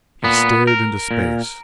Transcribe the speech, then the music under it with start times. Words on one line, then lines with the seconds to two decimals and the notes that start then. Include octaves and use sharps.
He stared into space.
0.24 A#2 B3
0.67 A#4
1.11 A#2